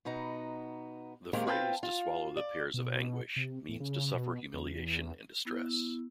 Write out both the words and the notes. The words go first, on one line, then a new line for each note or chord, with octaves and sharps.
The phrase "to swallow the pears of anguish" means to suffer humiliations and distress.
B2 B3 D#4 A#5
D#2 A#2 D#3 G#3 A#3 C4
C4 F4 B4 F5 G5 A5
F4
D5
B2
C3
A2
C#3
B2
E2
B3 E4